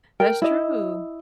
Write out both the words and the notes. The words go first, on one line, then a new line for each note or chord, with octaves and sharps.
That's true.
A#4 G5
E4 D#5